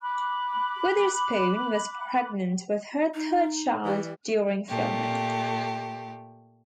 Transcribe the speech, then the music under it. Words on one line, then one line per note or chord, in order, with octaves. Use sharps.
Witherspoon was pregnant with her third child during filming.
B5 D6 F#6
D#4
E3 G3
A#2 A3 G4